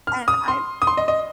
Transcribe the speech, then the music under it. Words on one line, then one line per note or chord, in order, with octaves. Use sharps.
And I'm
F6
D#6
C6
D#6
C6
D#5
D#5